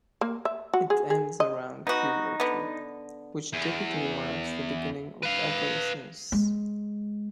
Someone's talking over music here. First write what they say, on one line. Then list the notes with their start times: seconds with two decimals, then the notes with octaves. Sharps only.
It ends around puberty, which typically marks the beginning of adolescence.
0.21 A#3
0.45 E5
0.73 F#4
0.90 G#4
1.10 G#4
1.40 D#5
1.87 B3 D#4 F#4
2.40 D3 B3
3.53 E2
5.23 B4 F5
6.32 G#3